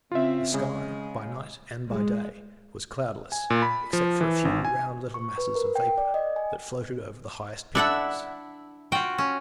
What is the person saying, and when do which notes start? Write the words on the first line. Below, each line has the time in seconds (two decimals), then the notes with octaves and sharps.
The sky, by night and by day, was cloudless, excepting a few round little masses of vapour, that floated over the highest pinnacles.
0.12 C#3 C4 F4 E5
0.54 C#3 G#3
1.89 G#3
3.32 G#5
3.50 A#2
3.62 B5
3.93 F3
4.21 E3
4.45 G#1
4.65 G#5
5.14 C#6
5.38 B4
5.55 A#4
5.75 G5
5.98 D5
6.14 D#5
6.36 G#5
7.75 D4 E4 A4 E5 F#5
8.92 F4 F#4 G5
9.18 C#4